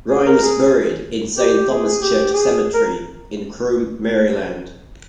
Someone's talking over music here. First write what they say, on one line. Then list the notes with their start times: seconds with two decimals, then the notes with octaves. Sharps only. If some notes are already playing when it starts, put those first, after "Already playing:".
Ryan was buried in Saint Thomas Church Cemetery in Croom, Maryland.
0.10 G#4
0.26 A#4
0.42 G#4
1.37 G4
1.70 G#4
1.85 G#4
2.01 G4
2.33 G#4
2.74 A#4